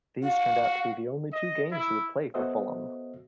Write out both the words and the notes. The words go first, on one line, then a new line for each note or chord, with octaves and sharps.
These turned out to be the only two games he would play for Fulham.
F#4 F5
D#5
E4
B3 F#4 A4 C5 D#5 E5